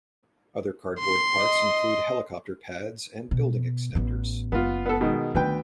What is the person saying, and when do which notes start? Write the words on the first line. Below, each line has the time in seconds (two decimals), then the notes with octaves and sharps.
Other cardboard parts include helicopter pads and "building extenders".
1.00 C6
1.38 D#5
3.31 B2
3.95 A1 B3
4.52 F#1 B3 F4
4.86 B3 A4
5.01 B2 D#3 G#3
5.35 D2 D#3 B3 B4 G5